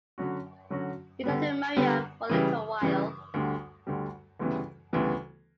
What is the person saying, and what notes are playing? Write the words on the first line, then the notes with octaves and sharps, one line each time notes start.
He talked to Miriam for a little while.
D3 F#3 C#4 F#4
D3 F#3 C#4 F#4
D3 G3 B3
D3 G3 B3
C#3 E3 G3
C#3 E3 G3
D2 D3 G3
D2 D3 G3
D2 C#3 E3 G3 B3
D2 C#3 E3 G3 B3